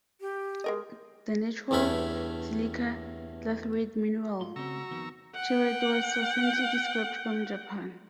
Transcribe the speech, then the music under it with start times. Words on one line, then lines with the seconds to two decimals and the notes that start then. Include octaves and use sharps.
The natural silica clathrate mineral, chibaite was recently described from Japan.
0.21 G4
0.64 G#3 A#4 D#5
1.71 E2 G2 A3 C#4 B5
4.41 G#2 F4 C6
4.56 C#3 C4 F#4 A#5 C#6 E6
4.91 F2 D#3 B3
5.35 F#5 G5